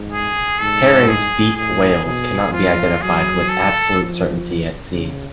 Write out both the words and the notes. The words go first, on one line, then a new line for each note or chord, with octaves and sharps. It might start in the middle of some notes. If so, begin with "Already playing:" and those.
Perrin's beaked whales cannot be identified with absolute certainty at sea.
Already playing: G#2
G#4
G#2 A4
G#4
A2 G#4
B2 G#4
F3 F4
F#3 G#4
A4
F3
C#3